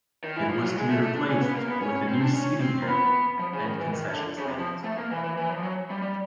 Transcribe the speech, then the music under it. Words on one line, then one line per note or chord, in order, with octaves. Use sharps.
It was to be replaced with a new seating area and concession stands.
D#3
E3
F3
F#3
G#3
A3
A3
D4
C#4
B3
A#3
B3
C#4
C#4
C4
D4
C#4
C4
A#3
B3
F3
C#3
D#3
E3
D#3
D3
C#3
C3
F3
A3
A#3
E3
E3
E3
F3
F#3
G3
G3